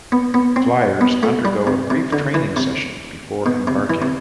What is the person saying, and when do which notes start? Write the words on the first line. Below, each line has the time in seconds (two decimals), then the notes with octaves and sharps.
Fliers undergo a brief training session before embarking.
0.12 B3
0.34 B3
0.56 C4
1.01 B3
1.23 A3
1.45 G3
1.67 C3
1.90 C3
2.13 D3
2.34 E3
2.57 C3
3.46 B2
3.67 C3
3.90 E3
4.02 C3